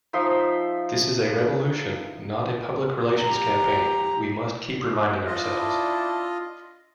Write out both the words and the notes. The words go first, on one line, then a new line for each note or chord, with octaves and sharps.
This is a revolution, not a public relations campaign, we must keep reminding ourselves.
F3 D#4 E5 C6
G4 A#5
D4 E4 F4 D#5 A5